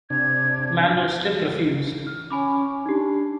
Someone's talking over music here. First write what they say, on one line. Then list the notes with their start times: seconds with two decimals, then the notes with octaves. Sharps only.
Manno still refused.
0.10 C3 D4 G#6
2.07 F6
2.31 C#4 G#5 B5 D6
2.86 D4 D#4 G4